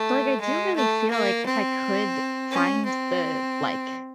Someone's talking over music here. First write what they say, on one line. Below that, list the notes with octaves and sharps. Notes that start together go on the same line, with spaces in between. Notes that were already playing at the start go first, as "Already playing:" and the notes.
but, like, I do really feel like if I could find the, like,
Already playing: A3
G#3
A3
A#3
C4
C#4
C4